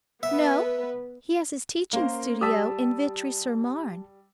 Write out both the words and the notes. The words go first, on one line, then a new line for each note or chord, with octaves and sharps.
'No; he has his teaching studio in Vitry-sur-Marne.
B3 B4 E5
A#3 C#4 A#4 C5
G3 G4 A5 D#6 E6 B6